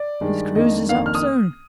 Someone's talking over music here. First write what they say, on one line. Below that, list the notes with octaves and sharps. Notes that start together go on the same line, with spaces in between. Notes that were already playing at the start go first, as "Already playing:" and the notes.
His cruise is up soon!
Already playing: D5
G2 D#3 G#3 D4
F2 D#3 A#3 D4 D#5
F2 D#3 A#3 D4 F5
F6
D#6